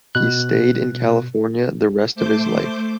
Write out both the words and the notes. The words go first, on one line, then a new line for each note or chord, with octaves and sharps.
He stayed in California the rest of his life.
B2 F#6
A3 C5 D6 G6